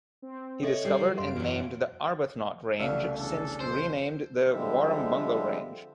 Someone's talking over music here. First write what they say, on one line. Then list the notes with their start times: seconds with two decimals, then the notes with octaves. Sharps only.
He discovered and named the Arbuthnot Range, since renamed the Warrumbungle Range.
0.22 C4
0.63 C#3 A4 C#5 D#5 E5
0.85 G3 C7
1.18 F#2 F5 C6 D7
1.36 E2 E3 F#3
2.80 C2 C#3 A3 F#4 D5 E5 F5
3.18 E2 C#4 D4 A4
3.61 F2 C5
4.52 D3 F3 G3 G#3 C4 E5